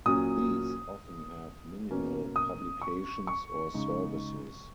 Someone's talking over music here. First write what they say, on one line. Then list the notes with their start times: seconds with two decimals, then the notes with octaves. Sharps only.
These often have minimal publications or services.
0.06 A#2 F#3 C#4 D#6
1.90 B2 A#3 C#4
2.36 D#6
2.82 C#6
3.27 C#6
3.74 C#3 G#3 D#4